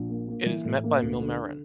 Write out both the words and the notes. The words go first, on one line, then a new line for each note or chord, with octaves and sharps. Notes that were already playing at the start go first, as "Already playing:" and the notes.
It is met by Milmerran.
Already playing: A#1
A#3
A#3
E3
A2
A#3
D2
D3
D3